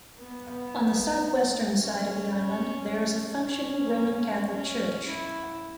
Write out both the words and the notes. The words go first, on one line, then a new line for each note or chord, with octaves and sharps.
On the south-western side of the island there is a functioning Roman Catholic church.
B3
C#4
C#4
C#4
E4